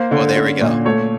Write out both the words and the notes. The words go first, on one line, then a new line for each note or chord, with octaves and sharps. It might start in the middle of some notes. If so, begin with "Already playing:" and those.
Well, there we go.
Already playing: A#3 C5
D3
C#4
A#2
A3 C#5